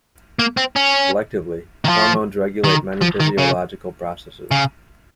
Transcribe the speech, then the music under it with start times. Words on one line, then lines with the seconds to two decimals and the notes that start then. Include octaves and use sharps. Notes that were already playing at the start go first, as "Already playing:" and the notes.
Collectively, hormones regulate many physiological processes.
0.39 A#3
0.57 C4
0.76 C#4
1.85 D#3
1.89 F3
2.64 D#3
3.02 F3
3.20 D#3
3.38 C#3
4.51 C#3